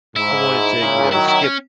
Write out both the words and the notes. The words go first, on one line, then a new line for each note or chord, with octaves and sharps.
I wanted to, you know, skip,
G#2 E4
A#2 C#3
D#3 F#3 E4
E4
C#4